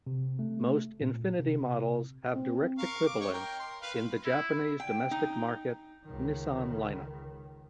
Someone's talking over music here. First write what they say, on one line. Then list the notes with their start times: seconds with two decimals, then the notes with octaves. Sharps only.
Most Infiniti models have direct equivalents in the Japanese domestic market Nissan lineup.
0.07 C3
0.39 A3
1.01 A#2
1.39 C3
2.36 C4
2.78 A#4 F5 C#6
3.06 D6
3.20 D#4 C#5 C#6
3.34 A#4 G5
3.60 C6
3.82 B4 F5 B5
4.25 E4
4.80 G5
5.11 D#4
6.05 C#2 D#3